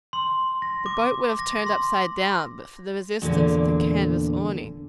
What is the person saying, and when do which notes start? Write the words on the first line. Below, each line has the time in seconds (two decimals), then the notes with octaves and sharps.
The boat would have turned upside down but for the resistance of the canvas awning.
0.13 C6
0.62 A#6
0.86 D6
1.39 A#6
1.66 C6
3.22 E2 A#2 D3